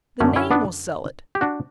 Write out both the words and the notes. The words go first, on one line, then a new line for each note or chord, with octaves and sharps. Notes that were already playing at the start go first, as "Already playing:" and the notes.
The name will sell it!
F#2 D3 A3 C#4
C#4 E4
B3 D4
G4
D4 F#4